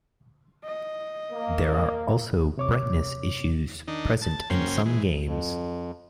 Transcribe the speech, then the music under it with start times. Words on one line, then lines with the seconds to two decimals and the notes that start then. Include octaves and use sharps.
There are also brightness issues present in some games.
0.64 D#5
1.32 A#3
2.57 C3 C#5 D6
3.88 D#3 D4 D#4
4.22 A5
4.50 F#2 C#3 A#3 C#4 C5 G5
4.86 E3 G#3
5.26 F2